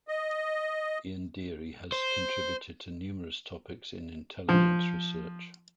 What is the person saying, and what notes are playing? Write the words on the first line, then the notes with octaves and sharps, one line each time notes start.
Ian Deary has contributed to numerous topics in intelligence research.
D#5
C5
F3